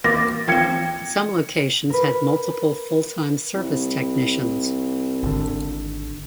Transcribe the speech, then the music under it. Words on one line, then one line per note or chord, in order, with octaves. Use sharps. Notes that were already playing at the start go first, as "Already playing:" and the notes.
Some locations had multiple full-time service technicians.
A#3 F#4 D6 A6 A#6
F3 C4 G5 G#6 C#7
A#4 B4
C2
G#1 D3